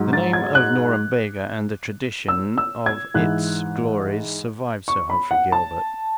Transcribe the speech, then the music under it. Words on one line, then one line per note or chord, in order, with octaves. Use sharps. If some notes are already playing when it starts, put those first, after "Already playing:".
The name of Norumbega and the tradition of its glories survived Sir Humphrey Gilbert.
Already playing: G#2 F#3
A6
G#6
F#6
E6
E6
G#6
G#2 E3 F#6
C#6
B5
F#5
A5